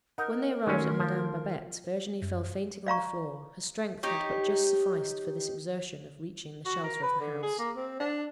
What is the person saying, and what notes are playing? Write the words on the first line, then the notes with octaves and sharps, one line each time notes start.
When they arrived at Madame Babette's, Virginie fell fainting on the floor; her strength had but just sufficed for this exertion of reaching the shelter of the house.
D#4 A#4 F#5
D#3 F#3 A3 C#4 C6
F3
F#2
D5 F5 A#5 C#6
D#4 G4 C#5
F#4
A#4
B4
D3
G#4
A#3
C4
D4